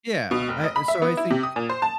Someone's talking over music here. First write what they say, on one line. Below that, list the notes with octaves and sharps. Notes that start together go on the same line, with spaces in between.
Yeah. I so I think
B2
F1
D#5
B5
E5
B3
E4
C3
D#6
A#2
C5
A5